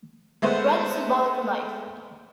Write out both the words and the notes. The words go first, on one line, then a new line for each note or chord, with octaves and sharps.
Bread is symbolic for life.
G#3 A3 B3 C5